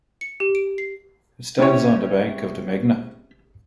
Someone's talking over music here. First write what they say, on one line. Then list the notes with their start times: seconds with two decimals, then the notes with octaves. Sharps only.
It stands on the bank of the Meghna.
0.21 C#7
0.40 G4
0.55 D7
0.78 C7
1.59 C#3 C4 C#4 E4 G4 C#5